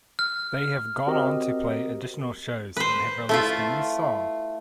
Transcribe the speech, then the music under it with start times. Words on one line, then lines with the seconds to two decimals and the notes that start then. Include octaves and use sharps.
They have gone on to play additional shows and have released a new song.
0.19 F6
1.07 C4 F#4 G4 A#4 D#5
2.77 B4 C5
3.29 A3 E4 F4